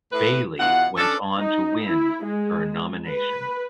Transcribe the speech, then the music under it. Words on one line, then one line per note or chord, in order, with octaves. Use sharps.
Bailey went on to win her nomination.
A2 B4
E2 B2 F4 F#5
C#4 D4 A4
D#4
E4
G#3
B4